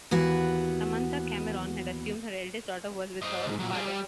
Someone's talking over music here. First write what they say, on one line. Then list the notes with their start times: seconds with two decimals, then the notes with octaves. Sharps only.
Samantha Cameron had assumed her eldest daughter was with her father.
0.11 D#2 E3 B3 F#4
3.22 C5 D#5
3.46 C#2 G#2
3.59 A#2 F#3
3.72 G3 G#4
3.85 G3